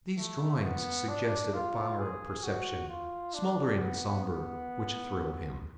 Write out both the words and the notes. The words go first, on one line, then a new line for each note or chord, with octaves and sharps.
These drawings suggested a fire of perception, smoldering and somber, which thrilled him.
A3
B3
D4
F4
G#4
F#4
F4
D4
B3
B3